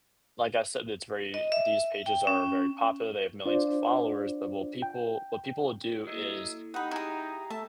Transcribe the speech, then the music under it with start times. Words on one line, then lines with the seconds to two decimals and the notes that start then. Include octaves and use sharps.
like I said, it's very these pages are very popular, they have millions of followers, but what will people what people will do is
1.34 D#5
1.52 E5
2.06 G5
2.27 C#4
3.45 D4 F4 C5 D5
4.82 G5
6.07 F#3 A#3 E4 A4 D#5 E5
6.74 D#4 G4 F#5 G5 B5
6.91 E4 G#4 A#5
7.50 A3 E5 A5